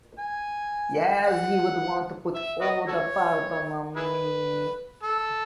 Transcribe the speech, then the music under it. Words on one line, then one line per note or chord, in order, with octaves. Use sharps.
Yes, he would want to put all the burden on me.
G#5
F#5
E5
F#4 B4 D#5
F#4 A4 C#5
E4 G#4 B4
A4